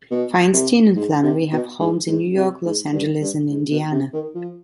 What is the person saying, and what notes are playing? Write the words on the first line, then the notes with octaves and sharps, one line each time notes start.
Feinstein and Flannery have homes in New York, Los Angeles, and Indiana.
B2
C3
G#2
C3
B2
G#2
G#2
C3
G#2
G2
G2
G#2
B2
C3
D#3
F3